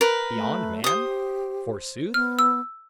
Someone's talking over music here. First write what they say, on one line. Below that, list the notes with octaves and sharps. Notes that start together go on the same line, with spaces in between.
Beyond man, forsooth?
A#4 B4
A3
G4 C5 D#6
B3 F6
E6